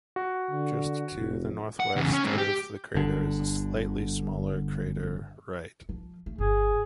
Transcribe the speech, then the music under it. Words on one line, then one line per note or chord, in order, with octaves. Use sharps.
Just to the northwest of the crater is the slightly smaller crater Wright.
F#4
D3
F1
F#5
E2 C#3
C#4
G#2 C4
G4
G1 D3
F3
A3
G1 G#4